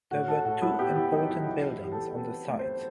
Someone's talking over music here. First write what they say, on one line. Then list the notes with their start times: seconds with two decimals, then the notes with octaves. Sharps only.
There were two important buildings on the site.
0.11 A2 F#4
0.28 A4
0.44 A2 F#4
0.62 E4
0.79 B3 G4
0.96 E4
1.12 F#3 D#4
1.30 E4
1.46 E3 E4
1.69 G4
1.80 E3 G4
1.92 A4
2.14 C4 B4
2.48 A3
2.59 C5